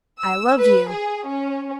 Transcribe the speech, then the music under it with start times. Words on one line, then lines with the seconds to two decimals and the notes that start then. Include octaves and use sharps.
I love you.
0.19 E6
0.58 B4
0.90 G#4
1.26 C#4